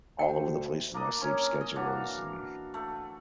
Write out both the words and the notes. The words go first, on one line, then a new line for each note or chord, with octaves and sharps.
All over the place with my sleep schedules and
D2 C5 F#5 G5
A#3 D4 D#5
C#4 A#4 C#5
D#5
E3 D4 F#4 F5
A3